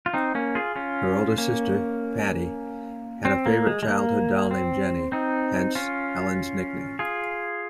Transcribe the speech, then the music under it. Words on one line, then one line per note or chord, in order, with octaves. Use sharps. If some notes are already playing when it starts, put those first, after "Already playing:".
Her older sister, Pattie, had a favourite childhood doll named Jenny, hence Helen's nickname.
F4
C4 D#4
A#3 C#4
F4 G#4
C#4 F4
A#3 C#4
C4
A#3
G#3
G#3
A#3
C4
C4 D#4
C#4 F4
F4 G#4